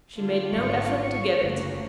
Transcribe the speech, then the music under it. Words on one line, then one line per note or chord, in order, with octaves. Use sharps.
She made no effort to get it.
D3 F4
D#1 G#1 C#6
F#1 D2 A#3 F#4